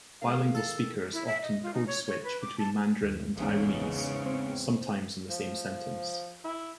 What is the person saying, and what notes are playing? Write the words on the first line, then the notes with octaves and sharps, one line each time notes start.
Bilingual speakers often code-switch between Mandarin and Taiwanese, sometimes in the same sentence.
D#3 G#3 F5
A4
E4
E5
D#5
F4
D#4
C#5
C#5
B4
D6
A5
D#2
A1 E2 G#2 C#3
C4
F3
E4